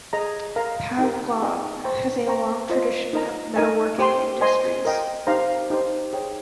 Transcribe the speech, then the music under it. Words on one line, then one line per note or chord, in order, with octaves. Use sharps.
Pavlovo has a long tradition of metalworking industries.
G#4 D#5 A#5
A#4 F5 A#5
D#4 G4 A#4
D#4 G#4 D#5 G5
C5 G5 A#5 C#6
C5 G5 A#5 C#6
F4 C5 D#5
D#4 A#4 D#5 A#5
D#4 A#4 D#5 G#5
G4 C5 G5 C6
C5 D#5 G#5 C6
A#4 D#5 G5
D#4 G4 C5 F5 A#5
D#4 G4 C5
G#4 C#5 G5